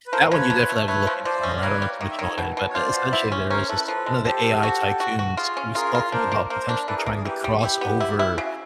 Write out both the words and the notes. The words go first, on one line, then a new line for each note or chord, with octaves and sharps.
that one you definitely have to look into more, I don't know too much on it, but essentially there is this one of the AI tycoons, he was talking about potentially trying to cross over
B4
F3 A#4 C5
F3 B4 C#5
F3
A3
A3 B4 C#5
F3
F3 C5 D5
E5
C#4 D#5
D5
A#3 B4 C#5
G3
D#3 D#5
E5
D#3 C#5 D#5
B2
B2
C#5
F4 C5 D5
B2
E4
C#4
C#4 A#4 C5
E4 A4 B4
F3 A4 B4
G#3
F3 G4 A4
F3
F#4
D4
F#4
F#4
F4 G#4
C#4
F4 G#4 A#4
F4
D4 A#4 C5
A#3
A#3 A#4 C5
D4
E3 A4 B4
G#4 A#4
A#3
G#4
E3 G4
G3
E4 G4
B3
E4
E4
C#3 F#4